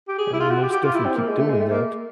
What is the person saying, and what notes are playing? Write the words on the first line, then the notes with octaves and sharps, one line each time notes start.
I will most definitely keep doing that.
G4
G#4
E4
F4
F#4
G4
G4
F4
E4
C4
A#3
G#3
A3
G#3
A3
A#3